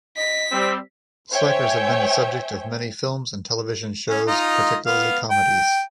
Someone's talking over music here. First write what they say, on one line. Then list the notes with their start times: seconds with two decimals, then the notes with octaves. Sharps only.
Slackers have been the subject of many films and television shows, particularly comedies.
0.17 D#5 B6
0.52 G3 C4 E6
1.31 C5 C#5 E5 G5 G#5
4.09 C#4
4.27 D#4 F4 D#5
4.86 B3 F5
5.31 G5